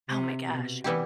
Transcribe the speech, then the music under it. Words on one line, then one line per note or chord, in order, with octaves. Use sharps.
Oh my gosh.
C3
B2
E3 G3 B3 E4 G4